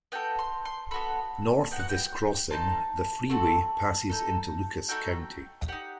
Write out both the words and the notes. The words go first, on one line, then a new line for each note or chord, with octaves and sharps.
North of this crossing, the freeway passes into Lucas County.
B3 F#4 A4 G5
C6
C6
B3 F#4 A4 B5
B3 D#4 F#4 G5
F#5
G5
C4 D#4 A4 A5
A3 C4 F#4 A4
D#4 A4
A3 D#4 F#4 A4 G5
D#4 G4 F#5